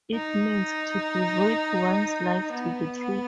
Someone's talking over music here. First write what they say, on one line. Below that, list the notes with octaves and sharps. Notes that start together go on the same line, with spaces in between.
It means, To devote one's life to the truth.
D#4
B3